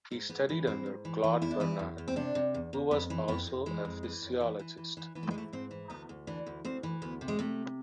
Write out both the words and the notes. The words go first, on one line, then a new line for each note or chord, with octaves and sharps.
He studied under Claude Bernard, who was also a physiologist.
G#2
G#2 B3
E3
G#2 C4
G#2
E3
E3
E2 E4
D4
E3 E4
E2
E2
C4
C3 D4
C3
E2
E2
F2 B3
E3
F2 B3
F2
E3 G#3
F2
E3
F2
E3
E3
E3
E3
E3 B3
A3
G#3
G#2 A3
G#2 C4
E3
D2 B3
D2
E3 D4
D2
D2 C4
E3
D2 B3
C3
G#3
C3 A3